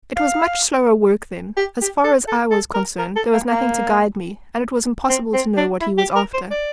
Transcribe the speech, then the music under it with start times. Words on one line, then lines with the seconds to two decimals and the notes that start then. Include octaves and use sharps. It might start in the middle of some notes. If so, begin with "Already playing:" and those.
It was much slower work then; as far as I was concerned, there was nothing to guide me, and it was impossible to know what he was after.
0.16 F5
1.57 G4
1.81 G4
2.04 A4
2.28 A4
2.51 A4
2.74 A#4
2.99 A#4
3.16 A4
3.33 A#3
3.51 A#3
5.09 C4
5.34 C4
5.57 D4
5.81 E4
5.98 G4
6.15 A#4
6.34 C5
6.51 D5